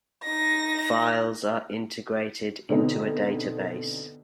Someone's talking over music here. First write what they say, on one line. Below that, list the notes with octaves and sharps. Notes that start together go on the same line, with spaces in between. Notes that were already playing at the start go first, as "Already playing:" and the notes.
Files are integrated into a database.
D#4 A#6
B2 D3 B3 C4 D#4